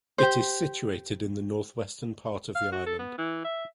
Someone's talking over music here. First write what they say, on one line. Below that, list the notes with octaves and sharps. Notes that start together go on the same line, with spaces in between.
It is situated in the northwestern part of the island.
G4 C5
F5
F#4
A4
B3
E3
E5